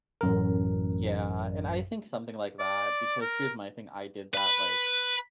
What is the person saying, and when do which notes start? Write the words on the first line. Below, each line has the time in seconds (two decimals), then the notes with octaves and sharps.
Yeah, and I think something like that, because here's my thing, I did that, like,
0.21 A1 F#2 A#4
2.59 D5
3.21 A#4
4.34 B4 B5